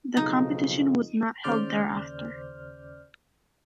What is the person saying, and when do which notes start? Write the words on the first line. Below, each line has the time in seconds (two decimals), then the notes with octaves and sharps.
The competition was not held thereafter.
0.17 B1 F2 C#3 D#4
1.43 D#2 C#3 C5 D5 F6 G6